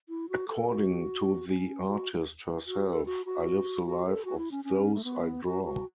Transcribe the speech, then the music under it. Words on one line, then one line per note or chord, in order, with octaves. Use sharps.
According to the artist herself, I live the life of those I draw.
E4
F#4
A4
F#4
C#4
F#4
F#4
A4
F#4
F#4
F#4
A4
F#4
E4
C#4
C#4
A3
B3
F#4
F#4